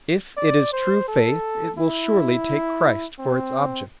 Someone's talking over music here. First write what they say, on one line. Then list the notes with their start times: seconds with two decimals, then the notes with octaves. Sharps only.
If it is true faith it will surely take Christ for its object.
0.37 D5
0.72 C5
1.08 A4
1.78 E4
3.19 C4